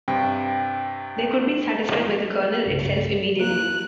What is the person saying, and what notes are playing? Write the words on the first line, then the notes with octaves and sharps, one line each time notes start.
They could be satisfied by the kernel itself immediately.
G2 C3 G5
C2 G2 C#3
A#3 F#6